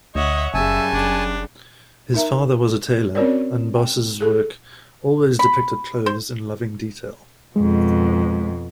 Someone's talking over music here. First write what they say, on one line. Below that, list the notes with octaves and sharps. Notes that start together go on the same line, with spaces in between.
His father was a tailor, and Bosse's work always depicted clothes in loving detail.
D2 C#5 D#5 E5 F#5
F#1 F#2 C#3 G3 E5 G#5 A5
F#1 D4
D#4 A#4 E5 A#5
C4 C#4 F#4 A#4 C#5 D5
G5
G#4 A4
B5
C5
F2 B2 G#3